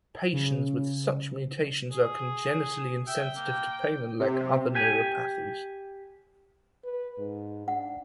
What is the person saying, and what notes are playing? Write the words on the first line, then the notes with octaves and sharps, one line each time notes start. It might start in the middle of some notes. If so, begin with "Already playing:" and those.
Patients with such mutations are congenitally insensitive to pain and lack other neuropathies.
C#3
G#4
E5 G5
A#3
C3
G4 G#5
B4
G#2
D4 F#5